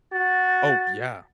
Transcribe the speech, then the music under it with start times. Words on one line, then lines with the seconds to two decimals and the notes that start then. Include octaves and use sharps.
Oh, yeah.
0.12 F#4 A6